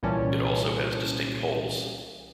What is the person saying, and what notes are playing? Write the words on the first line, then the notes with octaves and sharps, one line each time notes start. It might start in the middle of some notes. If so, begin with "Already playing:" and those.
It also has distinct holes.
C2 A#2 E3 G3 C#4 A5